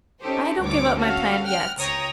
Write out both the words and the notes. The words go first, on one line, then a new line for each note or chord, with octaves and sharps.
'I don't give up my plan yet.
C#4 D#4 G4 A4 C5
D2 G2 G3 C#5 D6
C#4 F#4 A4 F5
F#5 G5 F6
C#2 C#5 G5 A#5 D#6